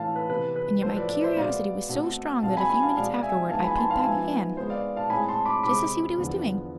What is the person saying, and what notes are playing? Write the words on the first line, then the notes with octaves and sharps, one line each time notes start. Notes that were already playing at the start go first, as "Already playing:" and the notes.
And yet my curiosity was so strong that a few minutes afterward I peeped back again, just to see what he was doing.
Already playing: A2 E3 A3 F5 A5
B4
C3 E3 B3 B4
B4
A2 F3 A3 C5
B4 D5
B4 D5
C5 E5
B2 G#3 B3 D5 F5
B2 A3 C4
B2 G#3 C4 F5 A5
G#5 B5
G#5 B5
F5 A5
B2 G#3 C4 D5 F5
E5 G#5
G#2 F3 B3 F5 A5
G#5 B5
A5 C6
F5 A5
G#2 F3 B3 E5 G#5
G#2 G#3 B3 C5
D5 F5
F5 A5
A2 G#3 C4 G#5 B5
A5 C6
B5 D6
C3 G#3 C4 B5 D6
E2 D3 F3 B3